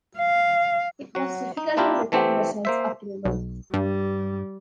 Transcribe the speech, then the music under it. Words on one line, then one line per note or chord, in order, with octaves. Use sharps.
It was difficult to return vessels upriver.
F5
F#3 F#4
D#4
A#3 D4 E4 F4 G4 A#4
E3 A3 C4 G4
A#3 C5 E5
B1
G2 G3